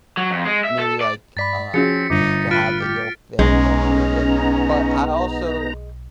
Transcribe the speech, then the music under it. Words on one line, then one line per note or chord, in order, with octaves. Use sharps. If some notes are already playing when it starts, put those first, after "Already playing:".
maybe, like, uh, just to have the yolk there and don't break it. But I also,
F#3
F2
G#3
E5
A4
D5
G2 D5 B5 A6 B6
F3 C4 C#4 F#4 G#4 C#7
G1 D#4 D6
F4 B4 F6 A6 D7
G4
B1 G#3 B3 C#4 D#4 A#5